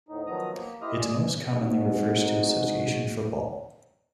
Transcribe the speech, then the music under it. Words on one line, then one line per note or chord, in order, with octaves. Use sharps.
It most commonly refers to association football.
D2 A2 D#4
D#3 F3 F#3 B3 A#5 D#6
A#3
E4 G4 C5 D#5 D#6 F6
G#4 D5
G#2 C4 D#4 F#4 G#4